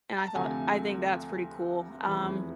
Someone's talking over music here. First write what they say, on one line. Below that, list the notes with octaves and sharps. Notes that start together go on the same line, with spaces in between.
and I thought, "I think that's pretty cool." Um,
A#5
A5
D2 C3 F3 A3 G#5
F1 E2 C3 E3 B5